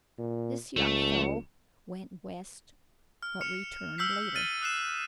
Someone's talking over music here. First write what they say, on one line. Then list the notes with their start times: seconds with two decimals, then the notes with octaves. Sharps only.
This young fellow went West, but returned later.
0.19 A#2
0.77 C#2 A3
3.23 F6
3.41 F6 C#7 E7 F7
3.98 E6 F6 G6 B6 C7
4.35 F6 A6 D#7 G7
4.61 D#6 F#6 C7 E7